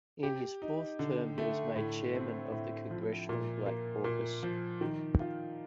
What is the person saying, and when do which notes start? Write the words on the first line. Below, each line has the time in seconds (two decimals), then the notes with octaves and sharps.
In his fourth term he was made chairman of the Congressional Black Caucus.
0.23 G4
0.62 D#4
0.99 D3
1.38 A3
1.76 A2
2.15 C4
2.52 A2
2.90 F3
3.29 A#2
3.66 A#3
4.04 A#2
4.43 F3
4.81 D#3
5.20 F4